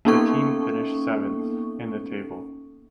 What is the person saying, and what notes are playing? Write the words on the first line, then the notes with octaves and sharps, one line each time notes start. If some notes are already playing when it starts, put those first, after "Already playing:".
The team finished seventh in the table.
A#3 B3 C#4 D#4 A4 C#6